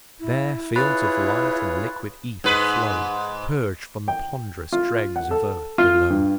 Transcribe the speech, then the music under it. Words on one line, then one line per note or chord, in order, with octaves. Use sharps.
There fields of light and liquid ether flow, Purg'd from the pond'rous dregs of earth below.
E4
E4 F4 G#4 B4 C#5 B5 F#6 A6
G#2 B4
G5
F4
F#5
A4
F4
G2